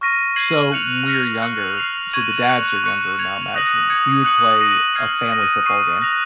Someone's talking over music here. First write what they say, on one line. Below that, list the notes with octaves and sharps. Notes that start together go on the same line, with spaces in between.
So when we were younger so the dads are younger now, imagine, we would play a family football game
C#6 F6 A#6 D#7
G#6 C7 D#7 F#7
F#6 C#7 F7
F6 A#6 C#7 F7
F#6 C#7 F#7
F6 C7 F7
C#6 G#6 D#7 F#7
C#6 F#6 C#7
C#6 F#6 C#7
G#6 C#7 F7
D#6 F#6 A#6 D#7 F#7
D#6 G#6 C#7 F7
D#6 F#6 C#7 F#7
F#6 A#6 D#7 F#7
F6 G#6 C7 F#7
F6 A#6 D#7
C#6 F#6 C7 D#7
F#6 A#6 F7